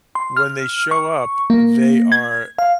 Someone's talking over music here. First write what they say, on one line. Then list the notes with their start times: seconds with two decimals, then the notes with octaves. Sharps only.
w when they show up, they are
0.15 C6
0.37 F6
0.91 C#6
1.50 A#3
2.12 G#6
2.59 F5